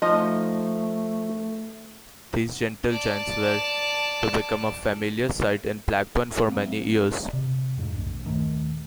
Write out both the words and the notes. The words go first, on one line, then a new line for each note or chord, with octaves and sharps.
These 'gentle giants' were to become a familiar sight in Blackburn for many years.
F3 A3 D#4 D#5
D5 A5
F#3 A#3 C4
C3
F2 G#2
B1 G2
D#1 D#3 A3